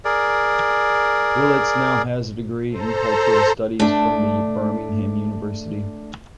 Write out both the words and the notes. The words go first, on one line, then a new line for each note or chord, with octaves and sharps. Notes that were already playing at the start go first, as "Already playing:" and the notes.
Willetts now has a degree in Cultural Studies from the Birmingham University.
G#4 A#4 D5
A4 C5 A#5
A3 D4